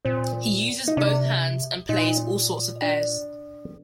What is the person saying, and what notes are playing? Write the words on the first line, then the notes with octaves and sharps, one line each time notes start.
He uses both hands and plays all sorts of airs.
A#2 C4
D#4
C3 D4
A#2 D#4
D4